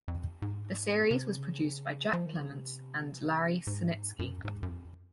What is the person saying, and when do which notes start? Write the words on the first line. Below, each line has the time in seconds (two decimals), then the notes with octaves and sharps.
The series was produced by Jack Clements and Larry Sanitsky.
0.08 F2
0.42 G#2
1.11 C3
1.37 C#3
2.13 F3
2.26 D#3
2.40 C#3
2.53 C3
3.67 G#2
4.19 F#2
4.45 G#2
4.63 F#2
4.70 F2